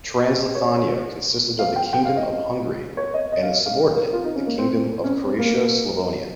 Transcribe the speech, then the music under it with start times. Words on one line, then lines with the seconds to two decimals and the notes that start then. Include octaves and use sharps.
Transleithania consisted of the Kingdom of Hungary and its subordinate, the Kingdom of Croatia-Slavonia.
0.55 C#5
1.59 F5
1.76 G5
1.93 G5
2.05 F5
2.16 D#5
2.97 C#5
3.14 D#5
3.32 D#5
3.43 F5
3.55 D#5
3.66 F5
3.84 A#4
4.01 A#4
4.13 F4
4.24 D#4
4.36 C#4
4.46 A#3
4.58 C4
4.70 C4
5.04 C#4
5.22 C4
5.39 A#3